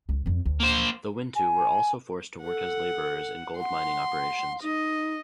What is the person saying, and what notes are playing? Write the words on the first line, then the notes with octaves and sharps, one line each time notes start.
The Wintu were also forced to work as laborers in gold mining operations.
C#2
F2 C4
D2
A#3 C5
G#5
A4 F#5
F#5 C6
D#4 D#5